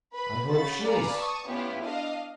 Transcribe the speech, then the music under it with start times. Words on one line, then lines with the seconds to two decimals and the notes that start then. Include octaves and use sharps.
"I hope she is."
0.14 B4 B5
0.50 C#3 F#4 B5 A6
0.84 B4 D5 F5 G#5 A#5
1.16 A5 C#6 D#6
1.48 B3 C#4 E4 F4 G4
1.82 D4 D#5 F5